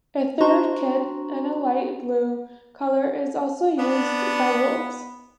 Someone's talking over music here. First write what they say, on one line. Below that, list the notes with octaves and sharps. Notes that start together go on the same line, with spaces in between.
A third kit in a light blue colour is also used by Wolves.
D4 F#4 C5 A#5 C6 C#6
B3 D4